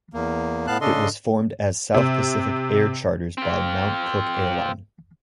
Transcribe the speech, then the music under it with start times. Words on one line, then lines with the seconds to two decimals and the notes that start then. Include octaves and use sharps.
It was formed as South Pacific Air Charters by Mount Cook Airline.
0.14 E2 A#3
0.67 A2 B3 F5 A5 F#6
0.81 C#3 D4 A4 D#5 C6
1.94 C3
3.38 C4 F4